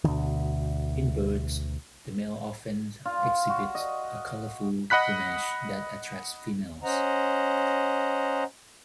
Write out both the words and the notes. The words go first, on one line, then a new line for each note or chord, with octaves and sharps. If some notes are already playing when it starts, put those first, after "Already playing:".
In birds, the male often exhibits a colorful plumage that attracts females.
D2 B2 D3 D#3
F4
F#4
D#5
D#5 F#5 B5 F#6 B6
C#4 C5 D#5 F#5 A#5